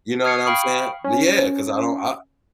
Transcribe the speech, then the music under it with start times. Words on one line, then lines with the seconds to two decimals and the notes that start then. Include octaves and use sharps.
You know what I'm saying? L yeah, 'cause I don't I
0.24 D#6 F6 G#6 C7 C#7
0.45 F5 G5 B5 C#6 D#6 F6
1.04 C#4